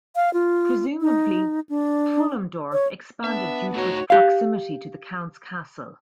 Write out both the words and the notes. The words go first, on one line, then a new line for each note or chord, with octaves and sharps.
Presumably, Pfullendorf expanded due to its proximity to the counts' castle.
F5
F4
D#4
D4
C#5
B3 D4 E5
A3 D#4 F#4 C#5 A#5
G4 F5